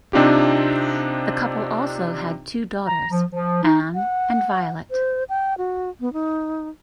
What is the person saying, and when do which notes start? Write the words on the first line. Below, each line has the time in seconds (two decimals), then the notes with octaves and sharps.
The couple also had two daughters, Anne and Violet.
0.13 C3 C4 D4 D#4 F4 G4
2.86 A#5
3.10 F3
3.32 F3
3.63 D#4
3.94 F#5
4.91 C5
5.29 G5
5.58 F#4
6.00 B3
6.13 D#4